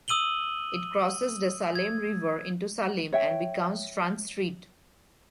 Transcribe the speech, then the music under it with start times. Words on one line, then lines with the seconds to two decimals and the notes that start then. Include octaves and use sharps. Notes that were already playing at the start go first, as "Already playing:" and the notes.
It crosses the Salem River into Salem and becomes Front Street.
0.08 D#6 E6 D#7 F#7 G7
1.75 G#6
3.12 C#5 E5 G5